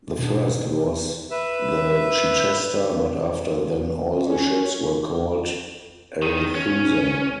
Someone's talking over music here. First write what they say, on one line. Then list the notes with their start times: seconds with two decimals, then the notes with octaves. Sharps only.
The first was the Chichester, but after then all the ships were called Arethusa.
0.19 B2 D4
1.31 B4 E5
4.26 C#4
6.22 D#3
6.55 C#4